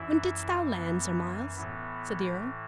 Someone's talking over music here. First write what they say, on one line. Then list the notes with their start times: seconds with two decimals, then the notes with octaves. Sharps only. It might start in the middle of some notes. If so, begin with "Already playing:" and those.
"When didst thou land, Sir Myles?" said the Earl.
Already playing: F#2 E3 E4
0.69 B3
1.57 A2 E3 B3